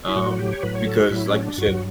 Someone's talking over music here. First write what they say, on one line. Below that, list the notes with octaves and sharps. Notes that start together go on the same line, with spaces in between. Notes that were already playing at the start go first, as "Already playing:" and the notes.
um, because like you said
E4
A2 F#3 F#4
G4
C#5
A2 F#3 B4
C#5
A4
F#4
A2 F#3 E4
C#4
D4
G2 F#3 F#4